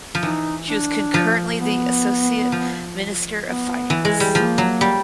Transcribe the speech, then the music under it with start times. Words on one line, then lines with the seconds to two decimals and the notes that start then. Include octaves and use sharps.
She was concurrently the associate minister of finance.
0.15 F3
0.23 E3 D#4
0.68 D4
1.14 F3
1.60 B3
2.52 F3
3.43 B3
3.90 E3
4.05 G#3
4.20 G3
4.35 F3 A#3
4.58 F#3
4.81 G3